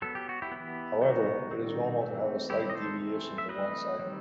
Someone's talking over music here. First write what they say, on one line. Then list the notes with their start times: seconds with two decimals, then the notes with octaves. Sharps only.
However, it is normal to have a slight deviation to one side.
0.02 F#3 B3 A4
0.15 G4
0.29 F#4
0.42 E4 G4
0.52 E3 B3
1.01 E3 G3 B3 D#4 F#4
1.51 D#3 G3 C4
2.00 E3 A3 C4
2.50 D#3 G3 C4 E4 G4
2.70 D#5
2.75 A4 C5
3.00 E3 A3 C4
3.38 E5
3.49 E3 A3 C4 B4 D#5
3.99 D#3 G3 C4